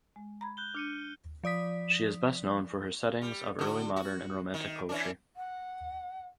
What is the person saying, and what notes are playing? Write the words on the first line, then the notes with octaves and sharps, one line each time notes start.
She is best known for her settings of Early Modern and Romantic poetry.
G#3
A#5 B5 G#6
F#6 G6 G7
D4 F6 C#7 D#7
F3 D5 D#6 B6
G3
D3 F#4
F#4
D#3
E3 C#4 D4
F#5